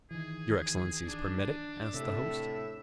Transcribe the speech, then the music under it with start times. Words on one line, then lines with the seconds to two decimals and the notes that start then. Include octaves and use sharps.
"Your excellencies permit it?" asked the host.
0.11 D#3 E3 G#4
1.06 D4
1.94 A2 C3 E5